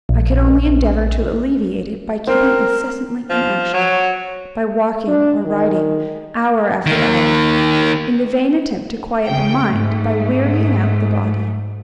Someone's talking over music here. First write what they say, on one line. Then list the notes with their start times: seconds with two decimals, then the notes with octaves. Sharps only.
I could only endeavour to alleviate it by keeping incessantly in action; by walking or riding, hour after hour, in the vain attempt to quiet the mind by wearying out the body.
0.09 A#1
2.27 C4 A#4
3.30 F3
3.74 F#3
5.08 D4
5.45 D#3
6.87 D#3 A#3
9.26 E2 C#3 G5
9.63 G#2 A3